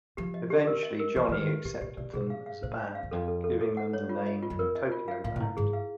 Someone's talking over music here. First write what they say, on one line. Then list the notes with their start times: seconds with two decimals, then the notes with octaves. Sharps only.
Eventually, Johnny accepted them as a band, giving them the name "Tokio Band".
0.17 F3 G4
0.34 D#5
0.50 G4
0.67 A#4
0.83 D#5
1.00 A#4
1.16 E3 G4
1.29 E3 B4
1.40 D#3
1.48 G4
1.65 A2 G4
1.81 A#2 G4
1.97 B2 D5
2.13 B2 G#4
2.30 F5
2.46 F5
2.63 A#2 C5
2.79 F5
2.95 F5
3.03 E2
3.11 F2 A4
3.28 A4
3.44 A4
3.61 A4
3.77 F#5
3.93 C#5
4.09 F4
4.26 D#5
4.42 F4
4.50 F#2
4.59 F2 A#4
4.75 D#5
4.92 F4
5.08 F5
5.24 A2 F5
5.36 A#2
5.40 A2 E4
5.57 G#2 G#4
5.73 F5